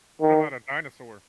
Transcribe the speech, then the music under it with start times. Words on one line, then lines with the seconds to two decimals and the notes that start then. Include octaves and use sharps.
What about a dinosaur?
0.21 D#3